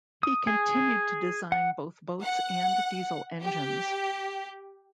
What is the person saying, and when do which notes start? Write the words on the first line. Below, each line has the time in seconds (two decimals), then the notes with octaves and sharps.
He continued to design both boats and diesel engines.
0.23 D#6
0.47 G#4
1.52 F#5
2.22 F#5
3.43 G4